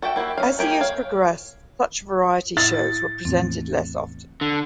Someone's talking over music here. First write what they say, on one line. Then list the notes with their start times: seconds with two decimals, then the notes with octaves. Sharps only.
As the years progressed, such variety shows were presented less often.
0.02 F#4 A4 E5 G5
0.16 A#3 E4 F#4 G4
0.38 C#4 F5
0.59 A#3 G4 G#4
0.81 C#5 F5
2.57 A2 E4 D#6 A6
3.25 E2 A2 C4
4.41 D3